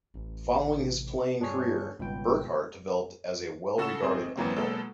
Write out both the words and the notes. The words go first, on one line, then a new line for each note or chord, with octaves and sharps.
Following his playing career, Burkhart developed as a well-regarded umpire.
A1 C#4
C3
G2 D4 G#4 C#5
G#1 C#2 B2 G3 G5
C#3 F#4 A4 E6 E7
G#1 C4 G#4 D#5
G#1 C#2 E3 F#3 A#3 C4
B2 F#3 G#3 A#3 A4